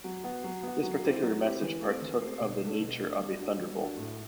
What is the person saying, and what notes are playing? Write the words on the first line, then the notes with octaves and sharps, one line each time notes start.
This particular message partook of the nature of a thunderbolt.
F#3
B3 F#4
F#3
B3 F#4
F#3
C4 E4 G4
F#3
C4 E4 G4
E3
A3 C4 G4
E3
A3 C4 G4
B2
D4
A3
B2
A3 D4
G3
D4 F#4
G3
D4 F#4
A2